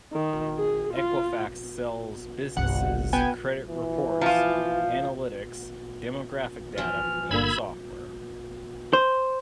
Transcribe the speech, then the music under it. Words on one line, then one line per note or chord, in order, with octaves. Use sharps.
Equifax sells businesses credit reports, analytics, demographic data, and software.
D#3
G#4
F4
G1 C2 F#5
B3 G5 G#5
E3
F3 F4
E3 F3 F6
G1 D3 A#3 B5 E6 G#6
C5